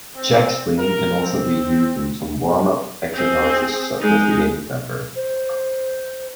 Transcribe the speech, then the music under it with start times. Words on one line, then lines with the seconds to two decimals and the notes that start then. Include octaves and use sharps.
Check-swinging can also be used in some warm-up exercises, such as the game pepper.
0.17 C4
0.79 A#4
1.23 C4
3.14 C4 G#4
3.98 G#3 D#4
5.16 C5